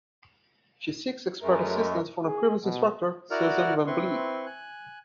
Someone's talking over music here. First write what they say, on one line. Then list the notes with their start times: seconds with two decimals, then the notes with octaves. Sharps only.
She seeks expert assistance from a previous instructor, Susan van Bleeck.
1.42 F#2 G#3 A3 A#4
2.24 G#4
2.64 B2
3.31 E4 F#4 A#4 D5 F#5 F6
3.87 C4 E4 B4 C6 C#6
4.46 G#5 F#6